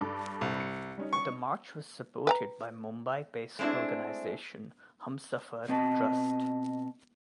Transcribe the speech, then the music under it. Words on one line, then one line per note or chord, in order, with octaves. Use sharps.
The march was supported by Mumbai based organisation Humsafar Trust.
G2 A4 D6
C2
C#7
G3 C#4 D#4
C#6
B4 G5 A#5
G#3 A3 C4 D4 E4
B2 C4 D#5 A5